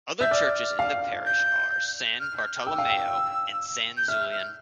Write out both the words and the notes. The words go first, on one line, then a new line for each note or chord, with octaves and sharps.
Other churches in the parish are San Bartolomeo and San Zulian.
E5 G6
D5 F6
F5
G6
F6
G6
F6
D6
G5 E6
F5
G5
G6
E5 F6
F6